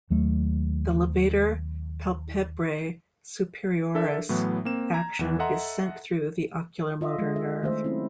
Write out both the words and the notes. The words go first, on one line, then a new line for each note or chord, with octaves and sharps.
The levator palpebrae superioris' action is sent through the oculomotor nerve.
D#2 F#3 A3
D4 A4 A#4 E5
A2 E3 F#3 B3
A#3 C4 E7
A#5 G#6
E2 E3
A4 D#5 E5 F#5 A#5 C6
F4 D#5 E5
G#3
E5
D#3 A3 D4 C5 E5
F#3 C4 C#4 E4